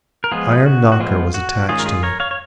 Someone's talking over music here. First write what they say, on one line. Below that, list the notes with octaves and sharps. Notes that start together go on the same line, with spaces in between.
An iron knocker was attached to it.
A#4
F3 G#3 B3 F4 G#4
F#4
F#4
F3 G#3 B3 F4
F#4
D#3 G#3 C#4 F4 G#4
A#4
F4 G#4
A#4 C#5
C#5 F5
C#5